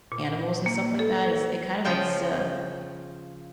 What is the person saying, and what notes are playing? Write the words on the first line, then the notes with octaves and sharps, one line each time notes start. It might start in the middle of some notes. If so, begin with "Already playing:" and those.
animals and stuff like that is it kind of makes, uh,
A#2
A#3
A4
C#3 F3 F4 G5 A5